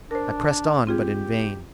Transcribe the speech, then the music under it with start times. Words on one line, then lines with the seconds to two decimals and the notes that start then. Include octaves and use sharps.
I pressed on, but in vain.
0.11 D4 A#4 C5
0.87 C4 F4 G4 G#4